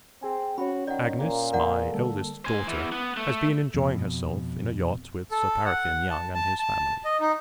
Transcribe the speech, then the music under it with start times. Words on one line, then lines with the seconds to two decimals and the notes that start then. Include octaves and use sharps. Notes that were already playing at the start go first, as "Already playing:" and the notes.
Agnes, my eldest daughter, has been enjoying herself in a yacht, with 'Sir Paraffine' Young and his family.
0.23 C4 G#4 G#5
0.58 C#4 F#4 C#5 B5
0.87 D#3 D5 F#5
1.18 A#2 A#3
1.53 A#4 D5 F#5
1.92 D3 G3 A#3 A4
2.45 C5 G#5
2.67 E2 E3
2.92 B3
3.17 A3
3.74 F2 B2
5.31 A4
5.65 F#5
6.10 A5
6.35 A5
6.59 A5
7.05 D#5
7.20 D#4